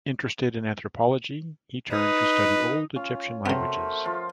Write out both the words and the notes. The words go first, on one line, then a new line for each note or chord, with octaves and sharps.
Interested in anthropology, he turned to study Old Egyptian languages.
D#4 B4
C#4 F4
C3 A3 B3 F#4 A#4 C5
F3 F4